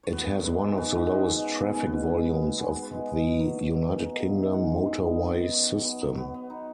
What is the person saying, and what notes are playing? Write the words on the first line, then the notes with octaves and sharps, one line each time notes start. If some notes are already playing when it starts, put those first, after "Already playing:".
It has one of the lowest traffic volumes of the United Kingdom motorway system.
C#5
B3 B4
B3
G#2 B4
G#2 G#4
B3 F#4
G#2 F#4
G#3 F#4
B2
G#4
C#4
B2 B4
C#4 G#4
B4
B2
G#2
B3
B3
B3 G#4
B3
B4
G#3
B2 D#5
B2
F#3
B2
B2
F#3
D#4
G#2
D#4
G#3 F#5
G#3
G#3
B3 D#5
D#3
D#5
F#2
F#2 C#5
F#2
B3
F#3
B3
B3
D#4